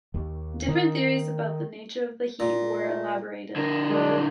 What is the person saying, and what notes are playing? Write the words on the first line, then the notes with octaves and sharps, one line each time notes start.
Different theories about the nature of the heat were elaborated.
D#2
D#3
A#2
A3
D3 A#4
F#3 G#3 D4